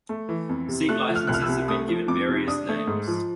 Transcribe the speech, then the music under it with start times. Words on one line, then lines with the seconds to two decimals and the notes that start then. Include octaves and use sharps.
Seat licenses have been given various names.
0.09 A3
0.29 E3
0.49 F2
0.69 C3
0.89 A3 F#6
1.09 F3
1.15 F6
1.27 C2 F#6
1.34 F6
1.42 E6
1.48 C3
1.68 A3 D#6
1.88 F3
2.08 F2 D6
2.29 C3
2.48 D4 D#6
2.69 A3
2.87 G#2
3.07 F3